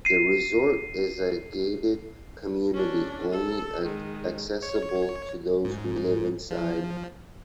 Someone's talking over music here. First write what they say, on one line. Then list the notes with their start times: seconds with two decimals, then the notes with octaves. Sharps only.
The resort is a gated community only accessible to those who live inside.
0.05 C7 D#7
2.74 C#4 D4
3.31 A4
3.82 D#3 G#3
4.63 C#5
5.65 G#2
6.51 F3